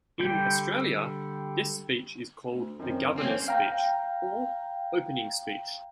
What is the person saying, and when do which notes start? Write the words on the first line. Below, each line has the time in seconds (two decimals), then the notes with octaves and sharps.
In Australia, this speech is called the "Governor's speech" or "opening speech".
0.19 D3 G3 G5
2.51 D2
2.79 F#2 D#3 C4
3.18 A1 A#3 C4 C#4 C5 G#5
3.48 F5 G5 A#5